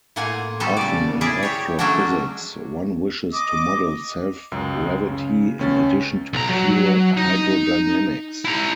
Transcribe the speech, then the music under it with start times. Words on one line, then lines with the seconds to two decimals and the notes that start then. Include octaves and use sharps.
Often in astrophysics, one wishes to model self-gravity in addition to pure hydrodynamics.
0.16 A2 A#3 F4 F#5 G#5
0.60 G3 B3 F#4 A4
0.77 C#3 D5
1.21 E4 G#4 A#4 D5 E5
1.43 G4 C#5
1.79 F#3 G#3 A3 C#4 D4 F#4
3.33 D#5 D6
4.52 C#2 F#2
5.08 C#3
5.59 C#2 C#4 A6
6.33 B1 A#5
6.50 F#3
7.17 D#4
8.45 E4 A#5